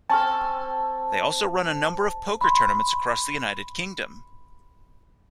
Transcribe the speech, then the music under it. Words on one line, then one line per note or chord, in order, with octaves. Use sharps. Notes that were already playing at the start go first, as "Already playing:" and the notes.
They also run a number of poker tournaments across the United Kingdom.
C4 A4 G#5 A5 C#6 F6
B5 C6